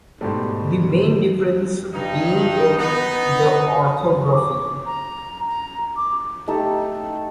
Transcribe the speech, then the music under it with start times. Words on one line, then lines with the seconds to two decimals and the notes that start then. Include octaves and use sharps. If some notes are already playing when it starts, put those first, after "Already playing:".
The main difference being in the orthography.
0.21 G#2 B2 G3 A3
1.93 G2 D#4
2.77 B3 D#4
4.33 D6
4.86 A#5
5.48 A#5
5.97 D6
6.48 A3 D#4 G4 A4